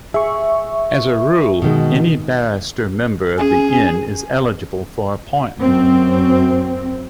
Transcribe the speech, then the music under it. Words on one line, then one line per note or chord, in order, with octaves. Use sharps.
As a rule, any barrister member of the Inn is eligible for appointment.
G#4 E5 C#6
B2 D#3 G#3
C#4 G#4
F#2 C4